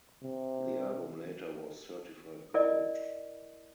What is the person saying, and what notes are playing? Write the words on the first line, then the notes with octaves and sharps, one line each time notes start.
The album later was certified gold.
C3
E4 A#4 D5 D#5